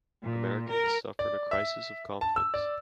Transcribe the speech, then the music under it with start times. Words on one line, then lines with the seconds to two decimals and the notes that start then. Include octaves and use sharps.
Americans suffered a crisis of confidence.
0.22 A#2
0.69 A#4
1.19 D5
1.51 E5
2.21 A5
2.36 E6
2.54 D5